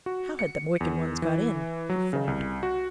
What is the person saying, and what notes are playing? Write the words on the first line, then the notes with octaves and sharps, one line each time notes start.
"How had them wicked ones got in?" he foamed.
F#4
C#7
E2
E3
F#3
C#3
C2
F#4